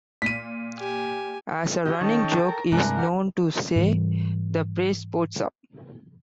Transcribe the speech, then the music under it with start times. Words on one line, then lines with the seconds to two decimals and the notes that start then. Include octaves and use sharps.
As a running joke, he is known to say the phrase Sports Up!
0.22 A#2 B6 D#7
0.77 G4 G#5
1.85 F#4 G4 C#5 D#5
2.01 D#3 C#4 A4 G5 A5
2.48 A#4
2.72 G2 C3 E3 G#3 D4 A#4
2.94 G4 F#5 F6
3.76 G#2 E3 G3